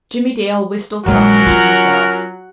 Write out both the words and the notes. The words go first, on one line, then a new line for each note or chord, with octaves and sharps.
Jimmie Dale whistled softly to himself.
A#1 F#3 G#3 C#4 A#4 F#5
F4